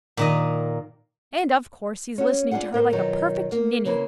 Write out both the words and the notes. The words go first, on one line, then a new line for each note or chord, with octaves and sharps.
And of course he's listening to her like a perfect ninny.
A#2 D#3 D#5
C#4 F#4
D4 D#4 F4 G#4 F#5
A2 A#4 C5
B2 D#3 F#3 F4
A#3
C#3 E3 A#3 B4 C5